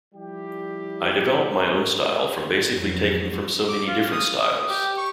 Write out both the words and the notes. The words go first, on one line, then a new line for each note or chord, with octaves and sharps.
I developed my own style from basically taking from so many different styles.
F3 G3 E4 G4
F2 F#3
D6
F4
D#6
D#6
G4
C#6